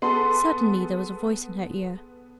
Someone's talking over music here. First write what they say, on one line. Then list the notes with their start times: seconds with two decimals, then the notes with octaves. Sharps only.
Suddenly there was a voice in her ear.
0.02 B3 G#4 A4 C6